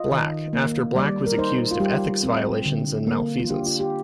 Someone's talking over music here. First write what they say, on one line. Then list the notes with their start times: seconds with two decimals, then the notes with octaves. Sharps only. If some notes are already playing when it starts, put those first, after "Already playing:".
Black, after Black was accused of ethics violations and malfeasance.
Already playing: F4 D#5
0.11 D#3
0.53 A#3
0.95 G3 D5
1.26 A#4
1.38 D#4 C5
1.71 F4
1.80 G3 G4
2.23 C4
2.66 D3
3.07 A#3
3.40 F4
3.49 D4 G4
3.66 F4
3.80 G4